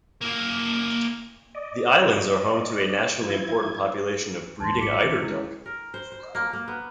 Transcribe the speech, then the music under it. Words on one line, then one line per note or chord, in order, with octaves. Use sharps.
The islands are home to a nationally important population of breeding eider duck.
A#3 E4
D5 D#5
F3 E4 G#6
D#2 E3 G3 A5 C6
G#1 D6 B6 C#7
E3 B3 C#4
C#3 G#3 C#4 E4 G#4
A#4
C5
C5
A#3
A#3
B3